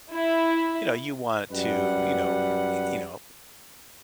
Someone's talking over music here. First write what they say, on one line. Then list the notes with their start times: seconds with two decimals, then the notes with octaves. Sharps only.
you know, you want to, you know y you know,
0.13 E4
1.52 F#2 G3 B4 F#5